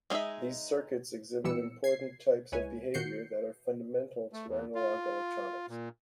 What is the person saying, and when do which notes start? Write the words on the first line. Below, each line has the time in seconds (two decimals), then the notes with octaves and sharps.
These circuits exhibit important types of behaviour that are fundamental to analogue electronics.
0.10 G#3 C#4 D#4 G#4 E5
1.44 A#2 E3 G3 B3 E6 C#7
1.84 G#6 C7
2.52 C#2 G#3 E4 B4 C#5 G#5
2.94 A#2 D#3 F#4 G6 C7 C#7
4.33 A3
4.47 E2
4.75 F4
5.69 A#2